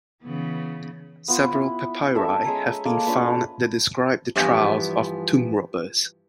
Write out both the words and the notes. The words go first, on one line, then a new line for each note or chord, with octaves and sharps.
Several papyri have been found that describe the trials of tomb robbers.
C#3 E3 B3
B3 F4
E4
C#4 A4 E5
G#3 C#5 G#5 A#5
G#3 A#3 A4
C#4 D4 F4 B4
G2 E3 F3 B3